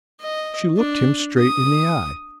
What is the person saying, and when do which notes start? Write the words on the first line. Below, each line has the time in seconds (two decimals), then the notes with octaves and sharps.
She looked him straight in the eye.
0.21 D#5
0.77 D4
1.39 D#6